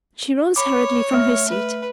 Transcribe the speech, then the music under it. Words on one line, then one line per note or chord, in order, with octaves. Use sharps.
She rose hurriedly from her seat.
C#5 B5 D6
A3 E5 F6
B4